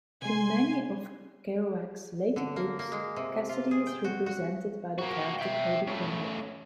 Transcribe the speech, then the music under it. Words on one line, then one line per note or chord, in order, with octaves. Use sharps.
In many of Kerouac's later books, Cassady is represented by the character Cody Pomeray.
C3 G#3 G#5 C6
D3
A#3
A#3
G#3
C3
F4
G#4
G5
F#4
F#4
A#3 F#4
E5 G5
C#3 A3